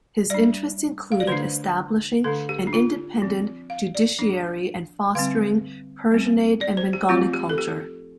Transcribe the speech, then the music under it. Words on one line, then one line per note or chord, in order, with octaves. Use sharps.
His interests included establishing an independent judiciary and fostering Persianate and Bengali culture.
G3 D4 D5
F5
D5
D3 A3 D4 C5
D3 A3 D4 A4
G4
D4
F4
F3 C4
F5
D5
F3 D4
D3 G3 C4 F5
G3 C4
D5
C5
G4
F3 A3 C4 F4
G4
A4
G4